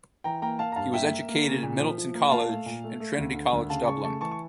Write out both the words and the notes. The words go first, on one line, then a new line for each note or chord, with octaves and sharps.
He was educated at Midleton College and Trinity College Dublin.
E3 G5 A#5
A#3 G5 A#5
A#3 F5 A5
A#5
G2 F5 A5
A#3 E5 G5
A#3
A#3
C#3
A#2
F3
F3
A#3
A#2 F5 A5
A3
A#2
A3
A3
D2
D3
D2
C#3 F5 A5
C#3 A5 C#6
A3 A5 C#6
E3 A5 C#6
C#6